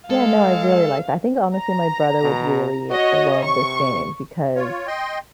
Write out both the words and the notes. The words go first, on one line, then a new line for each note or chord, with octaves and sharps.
Yeah, no, I really like that, I think, honestly, my brother would really love this game because
G#3 A4 F5
A#5
B2
F#4 C#5 D#5
C3 C#6
F4 C#5
D#5 G5 C6